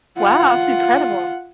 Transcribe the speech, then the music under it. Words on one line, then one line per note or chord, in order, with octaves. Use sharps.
Wow, that's incredible.
F4 F#5